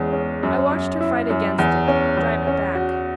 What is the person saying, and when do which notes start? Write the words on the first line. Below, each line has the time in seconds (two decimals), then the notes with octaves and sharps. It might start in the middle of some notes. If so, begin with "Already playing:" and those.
I watched her fight against it, drive it back.
Already playing: E2 G#3 C#4
0.13 C#4
0.43 F#2
0.71 F#2
1.01 E4
1.30 F#2
1.59 E2
1.88 C#4
2.17 E2
2.47 C#4
2.75 F#4